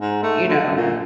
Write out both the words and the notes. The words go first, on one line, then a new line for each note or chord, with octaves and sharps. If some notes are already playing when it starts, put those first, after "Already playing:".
you know.
G#2
A3
D3
A#2